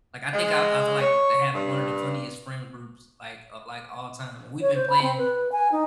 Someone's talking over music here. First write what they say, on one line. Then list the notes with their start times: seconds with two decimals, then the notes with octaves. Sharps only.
like, I think I I feel like to have one of the funniest friend groups, like, of, like, all time. We've been playing
0.33 G#3
1.01 C#5
1.53 G2
4.61 C#5
4.75 C5
4.90 B5
5.02 C4
5.18 B4
5.52 G#5
5.72 D#4